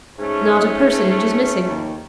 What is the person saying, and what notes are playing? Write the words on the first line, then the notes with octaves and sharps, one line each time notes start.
Not a personage is missing.
G#2 A3 C#4
D#2